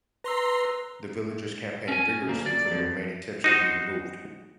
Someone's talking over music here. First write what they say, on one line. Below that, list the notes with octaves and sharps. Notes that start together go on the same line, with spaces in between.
The villagers campaigned vigorously for the remaining tips to be removed.
B4 A#5 C6 E6
C#4 G#5
D2 A#3
D5
F2
D#4 F#4 C5